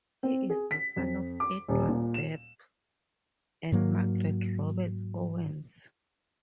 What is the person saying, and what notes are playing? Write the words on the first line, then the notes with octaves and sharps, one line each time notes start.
He is the son of Edward Bebb and Margaret Roberts Owens.
C4
G#4
B6
F2
D6
D#1
A#2
E7
G#2 F#3 A#3